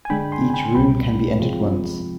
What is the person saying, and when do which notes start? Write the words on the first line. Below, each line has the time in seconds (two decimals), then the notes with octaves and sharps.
Each room can be entered once.
0.05 G#5
0.10 D3 G#3 D4 G5 B5
0.32 G#5 C6
0.50 G#5
0.54 G5 B5
0.75 C2 B2 G3 G5 B5
1.40 C3 F3 G#3 C4 F4